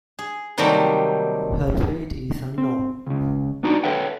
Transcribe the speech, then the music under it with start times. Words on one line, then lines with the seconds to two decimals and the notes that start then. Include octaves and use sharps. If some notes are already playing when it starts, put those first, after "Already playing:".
Her fate is unknown.
0.19 G#4
0.58 C3 D#3 F#3 G3 A3 A#3
2.58 C4
3.07 C#2 C#3
3.63 B3 D4 D#4 F#4 D5 A#5
3.83 A4 B4 C#5 E5 F#5 G5